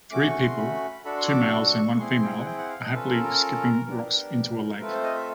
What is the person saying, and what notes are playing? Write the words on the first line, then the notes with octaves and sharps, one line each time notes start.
Three people, two males and one female are happily skipping rocks into a lake.
A3 C#4 F#4 D6
C#6
C6
B5
D4 F#4 A4 B5
C6
D6
C#6
C4 E4 G#4 C6
G5
F#5
G5
F#5
F5
D#5
C#4 F4 A4 B4
A#4
A#4
B3 D4 G4 A#4
A3 C4 F4 A4 B4
C5
D#5
E5